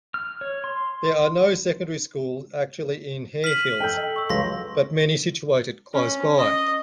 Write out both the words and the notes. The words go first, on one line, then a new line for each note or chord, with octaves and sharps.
There are no secondary schools actually in Harehills but many situated close by.
F6
C#5
C6
F6 B6 D#7 F#7
A4 G5 G6
D#5
C#6 E6
C#2 F#3 B4 F5 C6 A#6
C#4
D#5